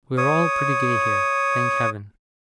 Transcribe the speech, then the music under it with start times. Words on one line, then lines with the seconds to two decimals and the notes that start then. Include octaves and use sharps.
'We are all pretty gay here, thank Heaven!
0.17 C#5 D#6